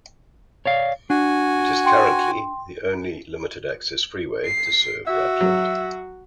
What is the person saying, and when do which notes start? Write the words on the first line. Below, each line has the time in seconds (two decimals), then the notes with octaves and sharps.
It is currently the only limited-access freeway to serve Rutland.
0.66 C#5 D5 F5
1.10 D4 F#4 G#5
1.85 G5 C6
4.46 C7
5.07 F#4 E5
5.41 F#3